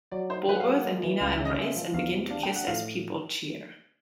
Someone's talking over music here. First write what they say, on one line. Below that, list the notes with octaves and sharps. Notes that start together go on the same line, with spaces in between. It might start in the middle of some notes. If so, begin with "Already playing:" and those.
Bulworth and Nina embrace and begin to kiss as people cheer.
F#3 D5
D#4 C5
F#3 B4
F#5
F5
A#3
F#5
G#3
E3
C#2 F5
E5
C#3
D#5
G#3 E5
F3
E2 F5
C3
D4 F5
G5
A3
F#5
A2 F5